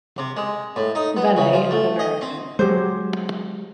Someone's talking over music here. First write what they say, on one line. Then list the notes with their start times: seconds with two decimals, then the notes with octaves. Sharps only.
Valet of America.
0.18 C3
0.37 G#3
0.76 A2
0.95 D#4
1.16 B3
1.37 C#3
1.53 F3
1.71 A3
1.99 D#5
2.21 C4
2.59 F#3 G#3 G4 C5